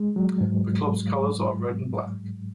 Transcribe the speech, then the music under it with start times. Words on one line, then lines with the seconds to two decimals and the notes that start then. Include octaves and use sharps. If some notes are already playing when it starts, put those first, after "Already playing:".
The club's colors are red and black.
Already playing: G#3
0.16 F#3
0.41 G#2